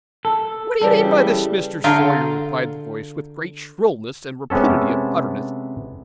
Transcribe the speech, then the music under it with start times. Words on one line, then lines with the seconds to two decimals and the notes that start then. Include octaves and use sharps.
'What do you mean by this, Mr. Sawyer?' replied the voice, with great shrillness and rapidity of utterance.
0.25 A4
0.82 C#3 E3 G3 A4
1.84 D3 F4 G#4 F5 G5 A#5
4.50 C3 G#3 B3 C#4 A4